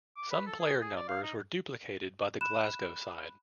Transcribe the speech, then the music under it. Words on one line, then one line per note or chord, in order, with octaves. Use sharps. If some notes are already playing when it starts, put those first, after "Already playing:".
Some player numbers were duplicated by the Glasgow side.
D6
B4
A4
G#4
G#4
D5
F5
D#4
B5 F#6 E7